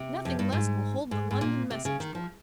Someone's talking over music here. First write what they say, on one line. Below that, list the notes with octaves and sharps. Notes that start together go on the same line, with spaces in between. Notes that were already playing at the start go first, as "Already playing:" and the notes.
Nothing less will hold the London message-boy.
Already playing: C3
F2
G2
G#2
G#2
G#2
A#2
C3
C#3
D#3
F3